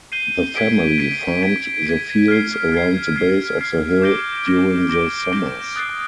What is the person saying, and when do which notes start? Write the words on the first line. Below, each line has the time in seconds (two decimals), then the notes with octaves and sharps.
The family farmed the fields around the base of the hill during the summers.
0.12 G6 C7 D#7 G7
0.56 G#6 B6 D7
0.98 G#6 B6 D7
1.43 G#6 B6 D7
1.86 G#6 B6 D7
2.28 F6 G#6 C7
2.72 F6 G#6 C7
3.16 F6 G#6 C7
3.58 F6 G#6 C7
4.02 D6 G6 A#6 D7 G7
4.46 D6 G6 A#6 D7 G7
4.89 D6 G6 A#6 D7 G7
5.32 D6 G6 A#6 D7 G7
5.76 D#6 F#6 A6 C7